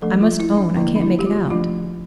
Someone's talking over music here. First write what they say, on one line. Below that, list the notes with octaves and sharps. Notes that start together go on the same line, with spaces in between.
I must own I can't make it out.
F3 A3 D4 A4
F4
E4
D4
D3 F3 A#3 E4
D4
E4
G4
F4
F3 A3 D4 F4